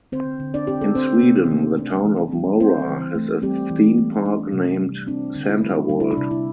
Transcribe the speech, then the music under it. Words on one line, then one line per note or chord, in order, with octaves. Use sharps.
In Sweden, the town of Mora has a theme park named "Santaworld".
D3 C4 C5
D3
D4 D5
C4 G4
A4
C4 D4 C5
C3
A3
D4
E3
G3
C4 C5
E3
A3
G3 C4 G4
E3
A3
D4
C3
G3
C4 D4
D3
E4
G3
G3 D4
E4
D4
C3
E4